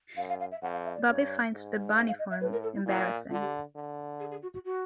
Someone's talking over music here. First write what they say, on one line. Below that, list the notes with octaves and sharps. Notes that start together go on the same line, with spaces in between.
Bobby finds the bunny form embarrassing.
F#2 F5
F5
F5
E5
F2 F#5
F5
E5
D5
G2 C#5
G#2
F5
F5
D#5
E5
A2 B4
A#4
A4
E4
A#2 E4
D3 F4
G4
D3
G#4
G#4
F#4
F#4
F#4